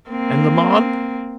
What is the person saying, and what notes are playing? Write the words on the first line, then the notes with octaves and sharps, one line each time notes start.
"And La Mon?"
A#3 C4